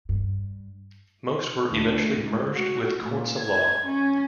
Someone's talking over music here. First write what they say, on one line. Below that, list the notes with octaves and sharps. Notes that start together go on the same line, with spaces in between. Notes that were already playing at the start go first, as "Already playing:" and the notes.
Most were eventually "merged with courts of law".
G2
D2
G#2
F#4
A#2
G#6
C#4